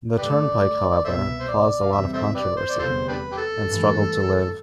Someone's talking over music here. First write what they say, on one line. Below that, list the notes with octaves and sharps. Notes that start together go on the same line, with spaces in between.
The turnpike however, caused a lot of controversy, and struggled to live.
G2 D3 A3 G4 B4 D5
C2 B2 B3 A4 C5 E5
C5
D5
F5
E2 C3 G3 C4 E5
A4 C5 E5
G4 B4 D5
C5
D5
F1 E2 D3 G3 B3 F4 A4 C5
D4 G4 B4
G4
A4
G2 E3 A3